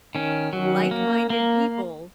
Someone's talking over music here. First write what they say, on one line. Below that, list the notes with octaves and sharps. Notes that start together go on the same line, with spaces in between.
like minded people
D#3 C#4
F#3
A#3
A#3